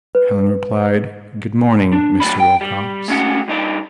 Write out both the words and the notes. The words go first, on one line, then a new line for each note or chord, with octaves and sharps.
Helen replied, "Good-morning, Mr. Wilcox."
B4
D4
A2 F#3 D5 B5
G5
G3
G#3 A3 C#4 F#4 F#5
G2 D#4 D5